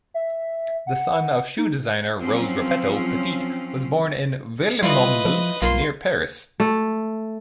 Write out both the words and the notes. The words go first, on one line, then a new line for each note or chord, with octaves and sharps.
The son of shoe designer Rose Repetto, Petit was born in Villemomble, near Paris.
E5
F#5
D#4
F3 F#3 C4 C#4 F4
G3 E4 F4 B4 D#5
F3
B1 A#3 F4 C6
A3